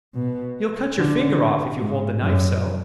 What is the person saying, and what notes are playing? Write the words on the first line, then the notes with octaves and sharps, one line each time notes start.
"You'll cut your finger off, if you hold the knife so!"
B2
D3
G#2
F#2